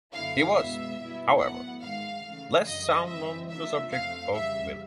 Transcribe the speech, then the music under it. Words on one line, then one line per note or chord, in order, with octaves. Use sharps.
He was, however, less sound on the subject of women.
F#2 D3 F#3 B3 E4 F5
B2 G#3 B3 E5
B2 G3 B3 E4
A2 F#3 B3 F#5
G#2 D#3 G#3 F5
C#3 E3 A3
F#2 D3 F#3 D#5
F#2 D3 G3 C4 E5
C#3 F3 A#3 D4 F4 E5
F2 C3 F3 A3 F5
F2 C#3 E3 G3 E5